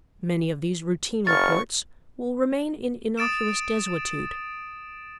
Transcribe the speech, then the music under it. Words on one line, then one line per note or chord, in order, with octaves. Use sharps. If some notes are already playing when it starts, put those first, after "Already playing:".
Many of these routine reports will remain in innocuous desuetude.
F#1 C#6 F6 A6
D#6 A6 D7 E7